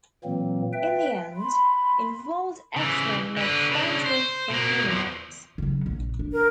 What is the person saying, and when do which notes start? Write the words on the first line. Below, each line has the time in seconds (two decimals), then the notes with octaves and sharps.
In the end, involved X-Men make friends with the humanoids.
0.24 A#2 E3 F#3 A#3 C4
0.73 B4 E5 G5
1.35 B5 C6
2.76 C#3 E3
3.37 D3 B4
3.71 C#3 D4
4.06 C5
4.50 B2 A#3
4.86 E2 F3
5.58 C#3 F#3
5.86 A#1
6.19 D4
6.33 A#4